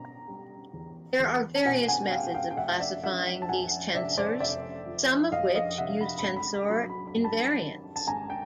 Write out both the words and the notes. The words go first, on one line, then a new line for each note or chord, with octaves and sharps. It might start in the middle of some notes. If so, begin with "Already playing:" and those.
There are various methods of classifying these tensors, some of which use tensor invariants.
Already playing: B2 A#5
G3
E2
E2
A5
B2 F#5 G#5
F#5 G#5
F#5
G3 F5 G5
F5 G5
G5
F1 E5 F#5
D5 E5
F3 E5 F#5
A5
F2 F#5 G#5
C3 D5 E5
C5 D5
F1 D5 E5
F3
F2 D#5 F5
D#5 F5
C3 E5 F#5
B5
B5
G#1
B5
B5
F#3 B5
B5
B5
G2
A5 B5
D#3
A5
G#1 G#5 A#5
G5